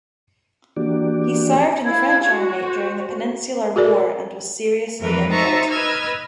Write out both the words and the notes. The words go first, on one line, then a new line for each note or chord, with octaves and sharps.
He served in the French army during the Peninsular war and was seriously injured.
E3 A#3 D4 F#4 G4 D5
E4 F5 G#6
F#4
C5
F#4 G#4 A#4 D5
F2 E3 A#4 B4
D#4 C5 E5 A5 A#5 C#6
B4 D#5 E6 F6 G#6